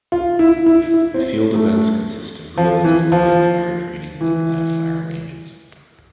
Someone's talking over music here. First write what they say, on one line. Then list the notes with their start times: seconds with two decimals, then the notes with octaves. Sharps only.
The field events consist of realistic blank-fire training and live fire ranges.
0.12 F4
0.39 E4
0.66 E4
0.94 E4
1.14 C4
1.55 A3
2.57 F3
2.84 E3
3.12 F3
4.21 E3